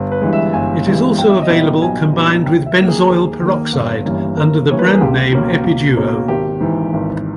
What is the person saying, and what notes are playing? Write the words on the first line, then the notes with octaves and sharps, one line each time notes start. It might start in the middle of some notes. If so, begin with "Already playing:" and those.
It is also available combined with benzoyl peroxide under the brand name Epiduo.
Already playing: G1
B4
G2 E3 G#3
E5
G1 G#5
G2 E3 G#3
B1 G5
E5
D#5
A#2 G3 B3 D#4 E5
B1 G#5
A#2 G3 B3 D#4
D#2 G5
E5
D#3 A#3
G#4
D#2 G#4
D#3 A#3
G1
G2 E3 A#3 C#4
G1 A#4
G2 E3 A#3 C#4 C#5
B4
A#4
G#4
C#2 G4
B2 A#3 C#4
C#2
B2 A#3 C#4
G#1 G4
G#2 E3
G#1